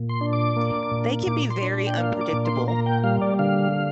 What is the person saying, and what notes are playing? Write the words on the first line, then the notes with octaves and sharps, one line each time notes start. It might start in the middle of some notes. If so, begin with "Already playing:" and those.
They can be very unpredictable.
Already playing: A#2
C6
D4
D6
A#3
A#2
A#2 D6
C6
D4
G5
A#3 F5
D6
A#2
C6
A#3 A#5
G5
G3 F5
D5
D3 F5